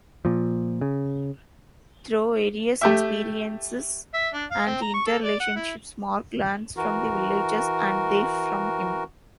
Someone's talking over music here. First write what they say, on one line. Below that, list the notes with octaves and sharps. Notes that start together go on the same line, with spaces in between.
Through various experiences and inter-relationships, Mark learns from the villagers and they from him.
A#2 F3
C#3
A3 G4 E5
E5
D4
F5
C4
A#5
C#6
A4
D5
F#5
E4
E3 F#4 A#4